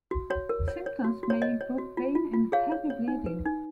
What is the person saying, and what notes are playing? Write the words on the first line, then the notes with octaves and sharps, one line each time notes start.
Symptoms may include pain and heavy bleeding.
F#4
F#4 C#5
A#4
C#5
C#5
F#4
F#4
C#5
C#5 D#5
C#5
F#4
F4
F4
F4
G#4 C#5 F5
C#5
C#5
D#4
B4
D#4